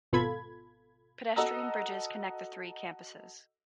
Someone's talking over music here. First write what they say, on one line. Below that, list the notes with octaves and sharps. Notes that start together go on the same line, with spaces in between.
Pedestrian bridges connect the three campusess.
G#1 B2 F4 A4 B5 G#6
F#4 A4 D#5 A#5 E6